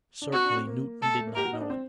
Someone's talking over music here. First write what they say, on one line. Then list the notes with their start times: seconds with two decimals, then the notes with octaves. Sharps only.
Certainly Newton did not know it.
0.22 D4
0.32 C4 F#4
0.45 D4
0.56 C4
0.67 A#3
1.01 A3 A4
1.19 A3
1.27 A#3
1.35 G4 A#4
1.45 F#4
1.53 D#4
1.61 D4
1.70 C4